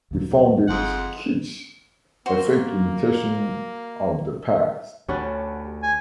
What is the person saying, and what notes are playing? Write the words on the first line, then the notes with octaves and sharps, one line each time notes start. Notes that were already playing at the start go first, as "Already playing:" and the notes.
He found it "kitsch, a fake imitation of the past".
D#2 A#2 F#3
G1 F2 G#3 F#5
A#3 F#4 C5
D2 C#4 D4 G4 F#5 B5
G#5